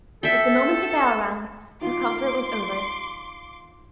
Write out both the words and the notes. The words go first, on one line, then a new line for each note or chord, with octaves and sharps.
But the moment the bell rang her comfort was over.
A4 E5 G5
D#3 F4 C6 D6